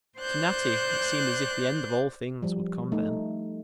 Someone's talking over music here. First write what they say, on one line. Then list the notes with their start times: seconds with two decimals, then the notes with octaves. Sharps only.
To Natty it seemed as if the end of all things would come then.
0.19 C5 D5 F#6 G6
2.42 F3 G3
2.92 A3 D#4